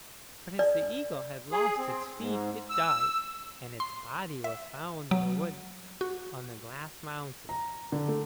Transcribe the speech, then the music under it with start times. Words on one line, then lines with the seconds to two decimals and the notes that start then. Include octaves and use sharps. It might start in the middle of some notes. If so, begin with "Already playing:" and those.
But as the eagle had lost its feet it died, and its body was found in a wood on the Glass Mountain.
0.59 D5
1.52 G#4
1.78 C4
2.17 G#2
2.70 E6
3.80 C6
4.44 E5
5.11 F#3
6.01 F#4
7.49 A#5
7.92 D3
8.08 A3